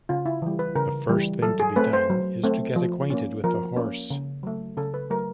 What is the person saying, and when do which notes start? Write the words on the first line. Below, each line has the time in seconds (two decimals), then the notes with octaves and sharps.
The first thing to be done is to get acquainted with the horse.
0.09 C#3 F4
0.26 E4
0.42 E3 G3
0.59 B4
0.75 C#3 A#4
1.09 E3 G3
1.42 F#3 A4
1.60 G#4
1.76 A3 C4 B4
1.93 C5
2.10 F#3
2.44 A3 C4
2.76 F3
3.10 A#3 C#4
3.44 F3 A#4
3.76 A#3 C#4
4.10 C#3
4.43 F#3 A3
4.77 C#3 A4
4.94 B4
5.10 F#3 A3 A#4